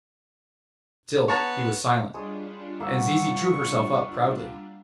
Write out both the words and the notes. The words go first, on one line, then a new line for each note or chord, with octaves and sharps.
Still he was silent, and Zizi drew herself up proudly.
B3 C#5 A5 A#5
G3 G#3 D4 F4 C#5 D#6
G1 A#3 E5 F#5 C#6